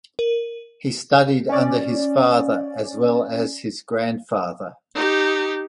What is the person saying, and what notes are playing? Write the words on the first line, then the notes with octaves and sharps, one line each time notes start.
He studied under his father as well as his grandfather.
A#4
C#4 D5
D#4 G4